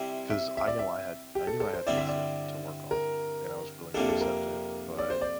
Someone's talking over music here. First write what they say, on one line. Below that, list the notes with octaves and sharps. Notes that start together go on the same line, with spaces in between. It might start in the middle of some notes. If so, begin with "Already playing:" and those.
'Cause I knew I had I knew I had things to im to work on, and I was willing to accept it. But,
Already playing: C3 G3 C4 E4
E5
E5
D5
E5
G4
A4
A4
C5
G2 D3 G3 C4 E4 D5
E5
D5
A#4
F2 C3 G3 A#3 D4 A4
A4
A#4
D5
C5
D5